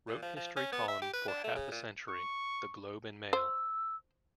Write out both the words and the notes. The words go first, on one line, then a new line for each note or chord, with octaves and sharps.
"Wrote history column for half a century" The Globe and Mail.
A#2
F3
F3
C#4
B3
E5
G4
B4
D4
A3
C#3
A#2
C#6
C5 E6